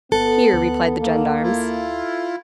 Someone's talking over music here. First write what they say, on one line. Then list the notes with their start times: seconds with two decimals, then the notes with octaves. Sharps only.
"Here," replied the gendarmes.
0.12 G1 B3 A4 F#6
0.53 D2
1.00 D3 A#3
1.43 E4 F4